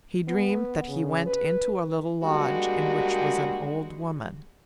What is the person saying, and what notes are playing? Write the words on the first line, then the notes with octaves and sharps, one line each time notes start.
He dreamed that he went into a little lodge in which was an old woman.
B3
C#3
B4
G3 G#3 A#3 D4 F#4 G4